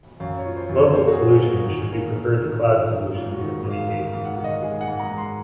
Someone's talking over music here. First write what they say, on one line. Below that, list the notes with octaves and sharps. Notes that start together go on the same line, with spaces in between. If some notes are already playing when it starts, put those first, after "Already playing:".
Local solutions should be preferred to cloud solutions in many cases.
F#2 F5
C#5
F4
C5
F#2
C#5
A#3 C5
F#4
G#4
F4
F4
A#3
F#4
D#3
A#3
A#3
D#3
F4
F#2
G#2 F4
F#4
D#3
G#2
F5
D#3 F5
F5
G#2
F#5
D#3
D#5
G#3 G#4
F#5
G#2
A#5
G#2
C6